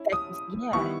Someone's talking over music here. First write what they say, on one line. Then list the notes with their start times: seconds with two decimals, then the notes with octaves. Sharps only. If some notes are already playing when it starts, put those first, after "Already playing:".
That's just Yeah.
Already playing: C#4 E4
0.12 D#6
0.73 D#3 G3 B3 E4 C#6